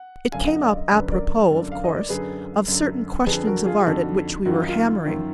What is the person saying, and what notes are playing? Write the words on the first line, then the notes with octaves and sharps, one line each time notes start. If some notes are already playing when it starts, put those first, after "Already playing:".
It came up apropos, of course, of certain questions of art at which we were hammering.
Already playing: F#5
F#2 D3 F5 G#5
D#5 F#5
D5 F5
D#5
F#2 D3 D5
B4
A#4 D5
F#2 D3
F5
D#5
D5
F#2 D3 G#4 B4
F#2 D3
F2 D3 G#4 B4
F#4 A#4
F4 G#4
G#4
F2 D3 D#4 F#4
F#2 D#3 F#4
F4
D#4
F4
F#2 D#3